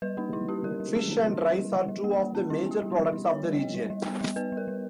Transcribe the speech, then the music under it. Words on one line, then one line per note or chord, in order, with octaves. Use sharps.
Fish and rice are two of the major products of the region.
G3 B4
A#3 D#4
G3 E4
C#4 G4
G3 A#4
G3
C#4 G#4
C#4
G3 E4
G3
G3
G3
G3
A#3
A#3
C#4
G3 E4
B3 G4
G3
D#4
G3
G3 E4
B3
C#5
G3
B3 D#5
G3
G3
B3
G3
B3 B4
G3
A#4
G3